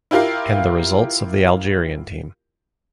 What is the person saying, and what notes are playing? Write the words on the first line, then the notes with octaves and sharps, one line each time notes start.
And the results of the Algerian team.
E4 F4 G4 A#4 F5